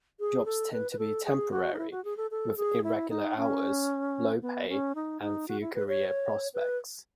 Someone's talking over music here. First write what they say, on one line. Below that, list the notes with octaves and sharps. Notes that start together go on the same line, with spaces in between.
Jobs tend to be temporary, with irregular hours, low pay and few career prospects.
G#4
A4
B4
B4
A4
G#4
F#4
D#4
E4
F#4
G#4
A4
A4
G#4
E4
D#4
C#4
B3
C#4
D#4
D#4
F#4
E4
B4
C#5
B4